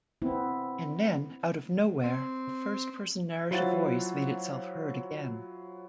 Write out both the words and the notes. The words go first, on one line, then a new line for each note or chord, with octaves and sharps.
And then, out of nowhere, the first-person narrative voice made itself heard again.
B3 C4 E4
C4
F#3 E4 F4 C5 F#5 A6